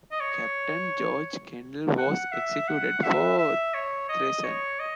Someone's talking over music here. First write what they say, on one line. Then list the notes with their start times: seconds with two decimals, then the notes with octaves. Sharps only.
Captain George Kendall was executed for treason.
0.12 D#5
0.20 C#5
1.98 F#5
2.32 E5
2.68 F#5
3.03 E5
3.38 E5
3.74 C#5
4.09 D#5
4.44 C#5
4.80 D#5